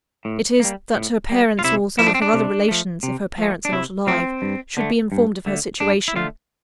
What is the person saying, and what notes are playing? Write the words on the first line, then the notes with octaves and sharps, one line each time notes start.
It is, that her parents, or some of her other relations, if her parents are not alive, should be informed of her situation.
A2
G3 A#3
A2
G3 A#3
F4
C3 E4
F3 A3 E4
D4
C4
D4
C3
F3 A3
C3
F3 A3
D4
C3 E4
F3 A3 C4
G2
D3 A3
G2
D3 A3
G2 D4
E4
D3 A3 F4